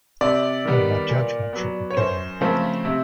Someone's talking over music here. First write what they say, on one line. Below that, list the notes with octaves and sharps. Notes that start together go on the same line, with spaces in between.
When my judgment should be given.
C3 D5
D#3 G3 B3
A#2
F#3 B3
C#5
F#2 C5
C#3 F3 A3 C4
C3